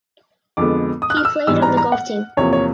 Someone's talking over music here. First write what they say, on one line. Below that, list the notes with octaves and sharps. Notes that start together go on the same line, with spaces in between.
He played on the golf team.
F2 D3 F3 G#3 B3 D6
D#6
F#6
F6
E6
G#2 E3 G3 B3 E6
A#5
A#5
F#5
E2 C3 F3 A#3 C#5
C#5